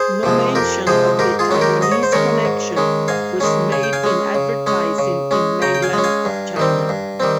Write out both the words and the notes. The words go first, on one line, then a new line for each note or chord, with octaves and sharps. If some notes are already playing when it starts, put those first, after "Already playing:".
No mention of the Taiwanese connection was made in advertising in mainland China.
Already playing: G#4 C5
C3 F3 G#3
F2 G4 A#4
C3 F3 G#3 G#4 C5
G#2 G4 A#4
F4 G#4
D#3 G#3 C#4
G4 A#4
G#2 D#5
C#5
C5
D#3 G#3 C#4 A#4 C#5
G#2
D#3 G#3 C#4
G#2 F5 G#5
D#3 G#3 C#4
C#3 G#5
G5
F5 G#5
G#3 C#4
C#3
G#3 C#4
C#3
G#3 C#4
C#3 G5 A#5
G5
F5 G#5
G#3 C#4
F5 G#5
G2
D#3 G3 C4
G2
D#3 G3 C4